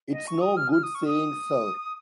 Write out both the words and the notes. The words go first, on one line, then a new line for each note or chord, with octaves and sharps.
It's no good saying 'Sir?'
D#5
C#6
D#6
F6
F6
D#6
C#6
D#6